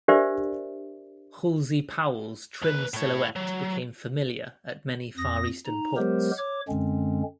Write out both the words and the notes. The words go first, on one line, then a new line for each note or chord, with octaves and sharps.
"Halsey Powell"s trim silhouette became familiar at many far eastern ports.
D4 G4 A#4 C5 D5 E5
D#2 B4
A2 C#5
F#3
F2 D#6 A#6
D#4 A#5
F#3 G#3 B3 G4 A#4 C5
C#5 D6
F#2 D3 G#3 C4 C#4